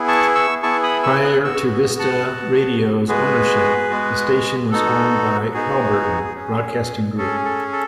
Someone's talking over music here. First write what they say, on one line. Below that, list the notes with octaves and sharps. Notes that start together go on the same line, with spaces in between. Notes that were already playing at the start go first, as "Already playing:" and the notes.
Prior to Vista Radio's ownership, the station was owned by Haliburton Broadcasting Group.
Already playing: B3 E4 G#4
A5 C#6
C#6 E6
B3 E4 G#4 A5 C#6
B5 D#6
C#6 E6
D#6 F#6
B3 F#4 C#6 E6
F#5 A5
B3 F#4
G#3 B3 F#4 G#4 B4
G#3 B3 F#4
B3 D#4 F#4 A4
B3 D#4 F#4 G#4
C#4 G#4
C#4 G#4 A4
A4
A4